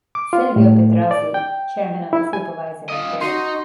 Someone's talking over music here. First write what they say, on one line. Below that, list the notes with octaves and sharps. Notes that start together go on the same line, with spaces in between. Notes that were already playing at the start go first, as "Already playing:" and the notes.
Silvio Pedrazzi, Chairman of the Supervisory Board.
D6
F4
A2
D5
G5
E4
G#5
F4 D#5
D#4 F#4 C6 C7